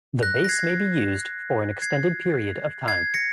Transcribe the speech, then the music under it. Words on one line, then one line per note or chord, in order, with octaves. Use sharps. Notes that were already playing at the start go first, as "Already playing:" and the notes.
The base may be used for an extended period of time.
F#6 A#6
A#6
G#6 C7
G#6 C7
G#6 C7
A#6 C#7